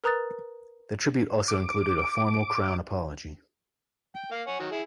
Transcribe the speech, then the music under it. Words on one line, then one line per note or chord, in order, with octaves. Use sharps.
The Tribute also included a formal Crown Apology.
A#4 B4 A#5 D#6 F#6 A6
D6
G5
A#3 F5
C#5 F#5 G#5
D#3 F#3
E4 G#4